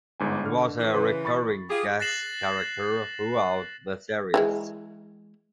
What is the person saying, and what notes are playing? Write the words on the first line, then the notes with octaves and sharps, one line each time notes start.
He was a recurring guest character throughout the series.
G1 G#2 G#5
D3 F6
E3
C#3 B4 C6
B5 C#6 A6
F4 G4 G#4
F#6 A6 A#6 C7 E7 F#7
E3 G3 G#3